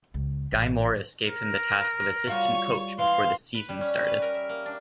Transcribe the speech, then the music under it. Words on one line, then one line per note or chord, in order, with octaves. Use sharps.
Guy Morriss gave him the task of assistant coach before the season started.
C#2
A1
A#4
G3 F4 F#4 C#5 C#6
E3 F5 C6
B4
G3
C#4
G3
B4
A#4
E5
A#3
D4